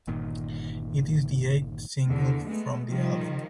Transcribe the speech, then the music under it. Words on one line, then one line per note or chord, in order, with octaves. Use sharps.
It is the eight single from the album.
G1 A#2 D#3
E2 D3
G#3 A3 B3
D#3 F3 G3